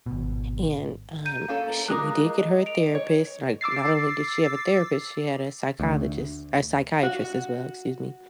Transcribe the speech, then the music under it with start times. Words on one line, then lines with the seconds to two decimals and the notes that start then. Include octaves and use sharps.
and, um, she we did get her a therapist, like, not only did she have a therapist, she had a psychologist a psychiatrist as well, excuse me.
0.06 G#1 B2
1.25 A#5 G6 D#7
1.48 A#3 C#4 A4 F5
1.88 G#3 F4 A#4 D6 D#6 F#6
2.24 D#5
2.66 D7 F7
2.95 C#5
3.61 D6 E6 A6 C7
5.80 D2
7.03 F#4